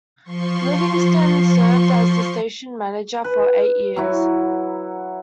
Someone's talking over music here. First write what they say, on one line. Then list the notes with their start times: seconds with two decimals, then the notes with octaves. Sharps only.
Livingston served as the station manager for eight years.
0.23 F3 C6 C#6
3.24 B4
3.96 F#3 E4 F#4